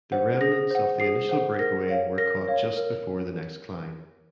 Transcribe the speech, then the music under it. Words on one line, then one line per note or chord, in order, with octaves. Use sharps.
The remnants of the initial breakaway were caught just before the next climb.
C5 F#5
G#4 A#6
C5 F#5
G#4 C7
C5 F#5
A#4 A#6
C#5 F5
A#4 A#6
C#5 F5
A#4